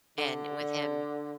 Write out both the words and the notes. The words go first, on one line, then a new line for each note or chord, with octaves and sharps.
and with him
D3